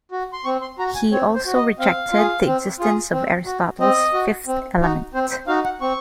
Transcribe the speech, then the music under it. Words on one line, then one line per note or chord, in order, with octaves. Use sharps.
He also rejected the existence of Aristotle's fifth element.
F#4
C6
C4 C#6
C6
F#4 A#5
G#5
C4 C#5
C5
F#4
D#5
C4 F5
F4 G#4
C4
F4 G#4
C4
F#4
C4 D#5
F#4
C4
D#4 F#4
C4 C5
C5
D#4 F#4 F5
F#5
C4 C#6